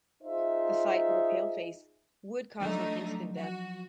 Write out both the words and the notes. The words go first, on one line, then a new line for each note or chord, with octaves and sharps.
The sight of a pale face would cause him instant death.
D#4 F4 G#4 C5 E5
F3 F#3 A3 D4 D#4
F#4